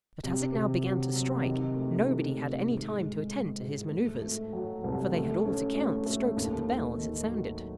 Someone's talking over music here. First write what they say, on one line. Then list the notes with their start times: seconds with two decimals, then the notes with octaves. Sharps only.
But as it now began to strike, nobody had any time to attend to his manoeuvres, for they had all to count the strokes of the bell as it sounded.
0.24 C3
0.54 C3
0.85 F#3
1.16 C3
1.46 D#3
1.76 A3
2.08 D#3
2.38 A3
2.69 G#2
2.99 G#3
3.30 G#2
3.61 G#2
3.91 A3
4.22 A3
4.53 F#3
4.84 C2
5.13 A3
5.45 C#4
5.75 A3
6.06 A3
6.36 D#2
6.67 D#2
6.97 D#3
7.29 F#3